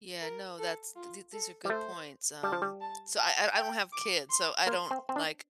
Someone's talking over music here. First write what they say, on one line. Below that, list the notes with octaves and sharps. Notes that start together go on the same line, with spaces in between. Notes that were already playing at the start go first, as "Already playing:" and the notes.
Yeah, no, that's, th these are good points, um, so, I I I don't have kids, so, I don't, like,
A#4
A4
F4
A4
G3
A3 C5
G3 A5
F3
G3
A5
A5
G5
D6
C6
A#3 C6
C4
C4
D4